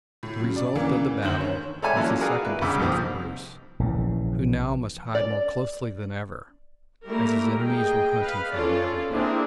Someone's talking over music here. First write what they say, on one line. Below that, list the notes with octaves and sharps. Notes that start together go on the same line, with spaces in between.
The result of the battle was a second defeat for Bruce, who now must hide more closely than ever, as his enemies were hunting for him everywhere.
A2
C#3 F#3
D5
D2 C#3 E3 A#3
F#1 D2 D#3 C5 G6 F#7
C#5
A4 C#5 D5 E5 G#5
E3 F#3 A#3 C#4 F4 A5
F#4 G#4 A#4 B4 D5 F5
E4 B4
C2 G2 C#3 D6 E6
C2 A#2 D#3 F3 C4 D#6
A#1 C#3 E3
D5
G3 A3 A#3 E4 A#4
G#4 D#5 G5
B4 F5
C#4 F4 A4 D5
A#3 C4 D4 E4 G#4 A#4